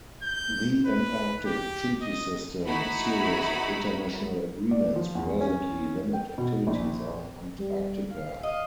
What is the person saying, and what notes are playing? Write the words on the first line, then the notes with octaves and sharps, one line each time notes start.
The Antarctic Treaty System, a series of international agreements, presently limit activities on Antarctica.
G6
B4
G4
D#5
D#4 E4 F#4 B5
D5
F3
E2
C#4
G5
B2
A#1
G3
F5
D#5 F5